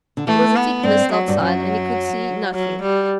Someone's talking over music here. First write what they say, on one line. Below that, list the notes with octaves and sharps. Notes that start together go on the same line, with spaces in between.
There was a thick mist outside and he could see nothing.
D3
E3 A3
B3
G2 C4
F#3
G2
F#2 F#3
F#3
G3